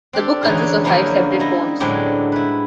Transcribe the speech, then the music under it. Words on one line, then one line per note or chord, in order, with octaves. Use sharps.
The book consists of five separate poems.
C4 D4 G4 A4
D3 E3 C#4 D#4 E4 G#4
D3 F3 F#3 A#3 C#4 E4
G3 E4 D#5
A2 D3 F#3 G#3 C4 G4
E4 B4